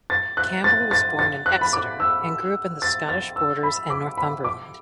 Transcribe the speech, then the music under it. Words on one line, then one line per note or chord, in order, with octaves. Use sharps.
Campbell was born in Exeter and grew up in the Scottish Borders and Northumberland.
A6
F#6
A6
A6
A6
F#6
B5
D6
E6
A6
A6
E6
B5
D6
B5
D6